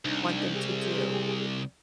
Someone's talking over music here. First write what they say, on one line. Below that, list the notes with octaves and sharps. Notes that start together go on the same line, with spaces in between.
want them to do,
C2 D4 D#4
G4 G#4